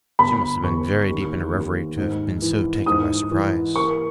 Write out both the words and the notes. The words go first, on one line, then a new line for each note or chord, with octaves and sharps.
She must have been very deep in her reverie to have been so taken by surprise.
G1 B5
G1 C#6
D#2
D#2
G#2
E3
G#2 D#6
E3
A#3 C#6